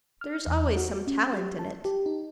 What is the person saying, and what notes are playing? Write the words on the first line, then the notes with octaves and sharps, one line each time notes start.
There is always some talent in it.
F6
E2
F#4
C#4
G4
A5
G4
D#4